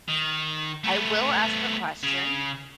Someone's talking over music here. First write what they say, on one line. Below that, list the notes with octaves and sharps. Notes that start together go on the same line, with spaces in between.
I will ask the question.
D#3
A3 B3
C#3